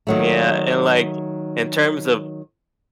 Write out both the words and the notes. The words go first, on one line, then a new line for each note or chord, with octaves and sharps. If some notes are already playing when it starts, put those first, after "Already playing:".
Yeah, and like in terms of
D#3 F#3 A3